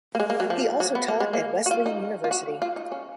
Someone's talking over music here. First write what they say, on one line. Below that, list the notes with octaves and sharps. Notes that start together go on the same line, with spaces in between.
He also taught at Wesleyan University.
A#3
G#3
A#3
F#3
F3
F#3
B3
A#3
G#3
A#3
F#4
F4
D#4
F4
F#4
F4
D#4
C#4